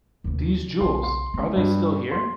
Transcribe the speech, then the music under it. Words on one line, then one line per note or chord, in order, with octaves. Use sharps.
These jewels — are they still here?
D#2 C3
B1 C#3 C6
C6
G#3 B3
G2 G#3
C6